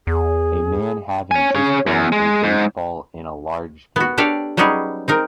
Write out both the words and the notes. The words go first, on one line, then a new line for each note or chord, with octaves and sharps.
A man having just thrown a baseball in large field.
E2 G#4
C#5 G#5
C#4 G#4
E2
G#3
G#2
B3 F#4
D4 G4 A4 C#5 D5 F5
F#3 G3 B3 C#4 D#4 G#4
C4 D#4 A#4